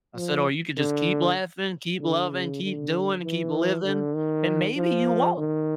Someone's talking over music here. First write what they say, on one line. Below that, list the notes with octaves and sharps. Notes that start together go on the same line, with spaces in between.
I said, "Or you could just keep laughing, keep loving, keep doing, and keep living, and maybe you won't."
F3
D3
D3
C#3
D3
E3
D3
D#3
F3
D#3